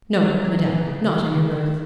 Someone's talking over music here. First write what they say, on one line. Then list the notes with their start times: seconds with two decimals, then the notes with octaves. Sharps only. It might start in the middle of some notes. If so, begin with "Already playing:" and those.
"No, madame, not in your berth."
0.22 F#3
0.44 F#3
0.66 E3
0.88 C#3
1.09 D#3
1.31 C#3
1.52 D#3